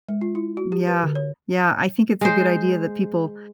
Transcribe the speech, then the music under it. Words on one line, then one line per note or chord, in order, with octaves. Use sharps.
Yeah. Yeah, I think it's a good idea that people
G#3
F4
E4
F#4
G4
B4
D3
C#5
G#3 C5